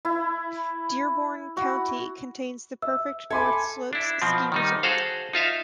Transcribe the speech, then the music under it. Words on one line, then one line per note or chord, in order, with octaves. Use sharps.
Dearborn County contains the Perfect North Slopes ski resort.
E4
F#4
E5 E6
A4 E5 G#5 B5 C6 D6 G#6
D4 E4
B2 F3 C4
D#3 G3 D#4
F#4 G#4 A4 C5 F5
D#4 F4 E5 F5